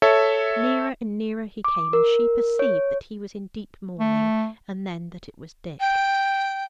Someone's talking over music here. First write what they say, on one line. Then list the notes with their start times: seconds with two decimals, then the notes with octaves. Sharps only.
Nearer and nearer he came, and she perceived that he was in deep mourning, and then that it was Dick.
0.02 A4 C#5 E5
1.64 D6
1.93 A#4
2.59 C#5
3.99 A3
5.80 G5